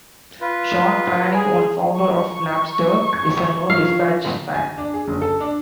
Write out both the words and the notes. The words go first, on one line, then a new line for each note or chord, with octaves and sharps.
Shawn Fanning, one founder of Napster, is a known Dispatch fan.
F4 B4
G#4
C#6
G#6
F3 F5
G#5
D4
G#4
F#1
A4
D4